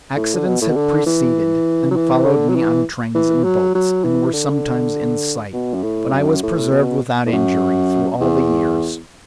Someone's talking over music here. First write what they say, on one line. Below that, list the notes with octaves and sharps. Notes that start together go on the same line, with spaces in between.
Accidents have preceded and followed me on trains and boats, and were sometimes in sight, but I was preserved without injury through all the years.
A2
D3
B2
A2
B2
D3
E3
F#3
E3
D3
F#3
E3
E3
F#3
F#3
E3
D3
B2
F#2
A2
F#2
A2
B2
A2
F#2
E2